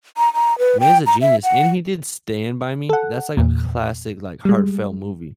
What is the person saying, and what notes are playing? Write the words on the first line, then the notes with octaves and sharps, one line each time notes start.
Man's a genius, and he did Stand by Me, that's, like, a classic, like, heartfelt movie.
A#5
A#5
B4
G5
A#5
E5
F#5
A4 F#5
E2 A#2
G3 G#3